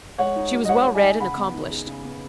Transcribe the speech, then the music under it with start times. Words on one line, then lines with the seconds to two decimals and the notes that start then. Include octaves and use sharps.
She was well read and accomplished.
0.18 G#3 C#5 F#5
0.36 D#4
0.53 F#4
0.65 D#5
0.69 G#3 C#5 F#5
0.86 G#3
0.94 D#5 G#5
1.03 D#4
1.20 C#3 F#5 B5
1.38 B3
1.54 D#4
1.71 G#4
1.87 C#3
2.05 B3